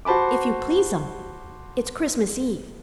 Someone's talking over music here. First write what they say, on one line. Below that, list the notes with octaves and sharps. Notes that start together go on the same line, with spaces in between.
"If you please'm, it's Christmas Eve."
F#4 C5 A5 B5 D6